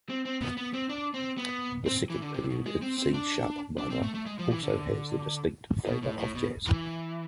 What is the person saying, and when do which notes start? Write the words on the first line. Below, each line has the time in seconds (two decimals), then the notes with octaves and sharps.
The second Prelude, in C-sharp minor, also has the distinct flavour of jazz.
0.09 C4
0.25 C4
0.41 B3
0.57 B3
0.74 C4
0.89 D4
1.14 C4
1.38 B3
1.86 C4
2.10 E3
2.22 D3
2.34 C3
2.50 B2
2.66 G#3
2.82 C4
2.98 C4
3.14 D4
3.78 D4
3.90 C4
4.03 A3
4.14 A3
4.26 G#3
4.39 F3
4.51 E3
4.63 D3
5.87 B2
6.03 A2
6.19 A2
6.35 B2
6.67 E3